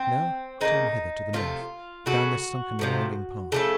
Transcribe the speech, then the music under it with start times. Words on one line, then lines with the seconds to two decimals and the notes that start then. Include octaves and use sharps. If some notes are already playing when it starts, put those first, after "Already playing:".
And now turn hither to the north, down this sunken winding path!
Already playing: C4
0.61 C#3 F#3 A#3 D#4
1.33 C3 F3 A3 F4
2.06 C#3 F#3 A3 F#4
2.79 C3 F3 A3
3.52 C#3 F3 A3 A4